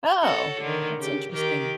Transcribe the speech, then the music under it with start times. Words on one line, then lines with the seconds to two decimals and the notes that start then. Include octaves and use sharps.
Oh, that's interesting.
0.22 F#4 A4 C#5
0.61 D3 D#3
0.98 C#3 G4
1.32 D#3 G4 A#4